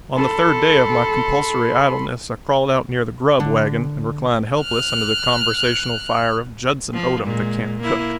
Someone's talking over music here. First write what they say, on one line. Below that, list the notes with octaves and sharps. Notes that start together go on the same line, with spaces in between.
On the third day of my compulsory idleness I crawled out near the grub wagon, and reclined helpless under the conversational fire of Judson Odom, the camp cook.
A4 B5 C6
D3
F6 F#6
F3
A#2 G#3
A#3 E4